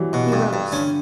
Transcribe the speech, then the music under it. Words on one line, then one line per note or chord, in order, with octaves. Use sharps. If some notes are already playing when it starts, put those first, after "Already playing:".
He rose.
Already playing: E3 F#3 G3
B2
G2
G2
D3 C#4